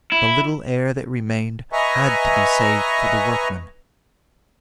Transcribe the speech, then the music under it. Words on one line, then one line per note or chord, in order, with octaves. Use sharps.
The little air that remained had to be saved for the workmen.
E4
B4 D#5 E5 G#5 A#5 C#6